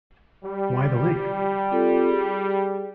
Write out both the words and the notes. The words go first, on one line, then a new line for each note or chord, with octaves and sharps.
Why the link?
G3
C4 F4 A4
G#4